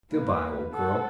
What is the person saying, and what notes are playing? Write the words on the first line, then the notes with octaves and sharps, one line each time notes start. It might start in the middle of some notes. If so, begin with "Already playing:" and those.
'Goodbye, old girl.
A#3 B4
A4 F#5